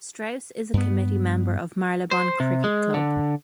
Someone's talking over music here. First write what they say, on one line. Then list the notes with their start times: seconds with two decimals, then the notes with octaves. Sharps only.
Strauss is a Committee Member of Marylebone Cricket Club.
0.74 G2 B3
2.11 C5
2.40 C3
2.64 G#3
2.94 D3